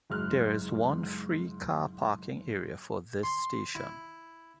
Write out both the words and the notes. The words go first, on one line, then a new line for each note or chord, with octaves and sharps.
There is one free car parking area for this station.
F#1 G#2 G#3 F6 F#6
C6
E4